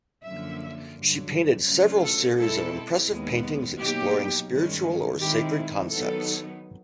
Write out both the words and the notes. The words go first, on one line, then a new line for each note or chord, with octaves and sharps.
She painted "several series of impressive paintings exploring spiritual or sacred concepts".
F#2 D3 F3 A#3 E5
G2 D3 F#3
C#3 F#3 A3 D4 F4
A4
B2 G#3 C4 E4 A4
D#2 D#3 G#3 B3
B2 F#3 A#3 D#4 G4
G2 D#3 G#3 C#4
D#3 G#3 C4 E4 G4
D#3 F#3 B3 D#4 A4